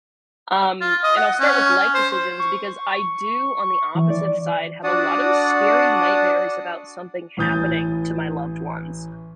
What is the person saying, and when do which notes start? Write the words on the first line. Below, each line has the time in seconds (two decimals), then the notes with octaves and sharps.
Um, and I'll start with life decisions because I do, on the opposite side, have a lot of scary nightmares about something happening to my loved ones.
0.81 F4
1.03 D#5
1.17 F#5
1.40 C#4
1.94 C5
2.39 C#6
3.51 C#6
3.95 E3
4.10 D5
4.84 D4 F#4 D5 F#5 A5 D#6
7.37 A1 E3 D#6 G6 A6